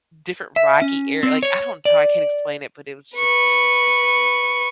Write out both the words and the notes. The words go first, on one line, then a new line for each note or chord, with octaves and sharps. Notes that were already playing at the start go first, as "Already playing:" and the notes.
different rocky ar like, I don't know how I can explain it, but it was just
E5
C#4
C4
C#5
D5
B4 C#6